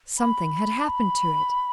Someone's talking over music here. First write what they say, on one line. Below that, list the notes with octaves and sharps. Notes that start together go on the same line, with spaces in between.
Something had happened to it.
B5
A5
B5